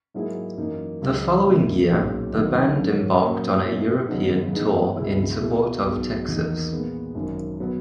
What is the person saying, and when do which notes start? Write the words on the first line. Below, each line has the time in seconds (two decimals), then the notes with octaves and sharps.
The following year the band embarked on a European tour in support of Texas.
0.14 G#2 F#3 A#3 E4 G#4
0.57 F#2 E3 A#3 D#4
1.02 C#2 C#3 F#3 C#4 G#4
1.46 C#2 B2 A#3 E4
1.89 B1 A#2 G#3 C#4
2.33 D#2 D#3 F#3 B3 D#4
2.77 A#2 F#3 A#3 C#4
3.21 A#2 F#3 A#3 C#4
3.64 A#2 G#3 B3 E4 G#4
4.08 D#2 C#3 F#3 B3 D#4
4.52 G#2 E3 B3 D#4 G#4
4.96 C#2 B2 G#3 B3 E4
5.40 B2 A#3 E4 G#4
5.84 B1 B2 G#3
6.28 E2 D#3 A#3 D#4
6.72 A#2 G#3 B3
7.15 G#1 F#2 D#3
7.59 B2 F#3 B3 F#4